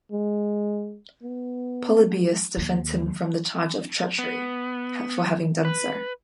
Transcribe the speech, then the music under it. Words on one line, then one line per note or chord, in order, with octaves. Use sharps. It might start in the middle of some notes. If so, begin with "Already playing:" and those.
Polybius defends him from the charge of treachery for having done so.
G#3
B3
D#2
B3
B4